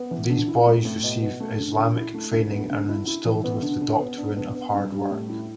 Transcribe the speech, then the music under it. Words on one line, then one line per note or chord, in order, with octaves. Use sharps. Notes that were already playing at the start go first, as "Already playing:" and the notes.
These boys receive Islamic training and are instilled with the doctrine of hard work.
Already playing: B3
E3
D3
E4
A2
A2
B2
B3
A3
D3
D3
E4
A3
D2
B3
D3
E4
E4
E3
B3
D3
D3
B3
D4
B3
B3
G2
G3
A2
E4